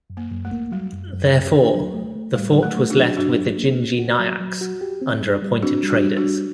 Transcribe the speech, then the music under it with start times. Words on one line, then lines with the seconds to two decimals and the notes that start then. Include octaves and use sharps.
Therefore, the fort was left with the Gingee Nayaks under appointed traders.
0.10 F#2
0.17 A#3
0.31 F#2
0.45 A3
0.51 A#3
0.72 F#3 G3
0.92 F#2
1.13 F#2
1.33 F#2
1.54 D4
1.75 F#3
1.94 A3
2.15 A3
2.35 A2 G3
2.56 F#3
2.63 A3
2.77 A3
2.90 D4 F#4
2.98 F#3
3.17 G2 D4 F#4
3.38 F#3
3.58 A#3
3.79 A#3
3.99 F#4
4.19 F#3
4.40 F#3
4.61 F#4
4.81 G4
5.02 C4
5.22 G3
5.43 G3
5.62 C4 D4 F#4
5.83 G3
5.90 D4 F#4
6.04 G3
6.17 D4 F#4
6.25 G3